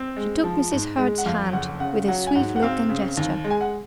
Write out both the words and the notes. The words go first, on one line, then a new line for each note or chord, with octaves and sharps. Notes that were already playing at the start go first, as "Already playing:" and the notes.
She took Mrs. Hurd's hand with a sweet look and gesture.
Already playing: C4
G#3
F3
G#2
G#3
F#5
F2 F5
F#1 F#5
C#3 F#5
F#3 F#5
G#5
G#2 F#5
F#5
C4 F5
C#3
D#2
G#3
G#5
F#5